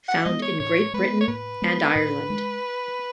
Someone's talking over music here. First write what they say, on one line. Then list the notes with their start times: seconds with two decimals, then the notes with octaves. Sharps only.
Found in Great Britain and Ireland.
0.08 F#5
0.25 G#3 B3 D#5
0.42 C#5
0.60 A2 C#5
0.94 G#3 B3 B4
1.21 C#5
1.28 A2 B4
1.62 G#3 B3
1.95 A2
2.30 G#3